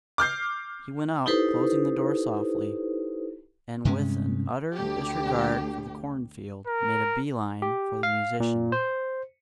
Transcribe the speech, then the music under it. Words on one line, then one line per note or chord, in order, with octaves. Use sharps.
He went out, closing the door softly, and with an utter disregard for the corn field, made a bee line for the musician.
D6 F6 G6 C7
D#4 E4 G4 A4 B4 C5
G2 C3 G#3 C#4
D2 G4
A#4
G4
F5
A#2
C5